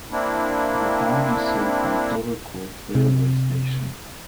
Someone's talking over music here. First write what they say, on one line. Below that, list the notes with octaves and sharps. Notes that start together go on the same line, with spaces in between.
The town is served by Dovercourt railway station.
A#3 C4 D4 E4
C3